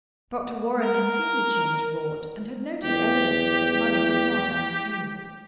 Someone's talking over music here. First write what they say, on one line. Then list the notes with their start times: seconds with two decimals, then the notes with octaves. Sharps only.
Dr. Warren had seen the change wrought, and had noted evidences that money was not unobtainable.
0.82 A#4
2.84 E2 G4